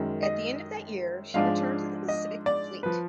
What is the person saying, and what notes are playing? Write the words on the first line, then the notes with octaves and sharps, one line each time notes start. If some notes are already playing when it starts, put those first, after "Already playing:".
At the end of that year, she returned to the Pacific Fleet.
Already playing: F#2 D#3 G#3
D#5
G#2 F3 G#3 D4 F5
D#5
D5
F3 B4